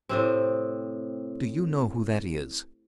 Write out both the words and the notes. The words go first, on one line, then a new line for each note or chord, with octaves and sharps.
"Do you know who that is?"
A2 C3 C4